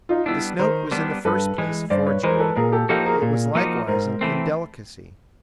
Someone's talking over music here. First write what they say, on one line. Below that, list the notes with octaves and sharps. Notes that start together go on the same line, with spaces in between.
This note was in the first place a forgery; it was likewise an indelicacy.
D#4 F4
G3 B3 D4 E4
D#3 A#4 C5
G3 B3 D4
G2 A4 B4
E3 G#3
G2 C5 D5
B4 C#5
E3 G#3 A#4 C5
A#4
A4 B4
A#2 G#4 A#4
G4 A4
F3 A#3 D#4 F#4 G4 A4
G#4 A#4
A#2
F3 A#3 D#4 F#4
G#2 A#4 C5
E3 A3 C4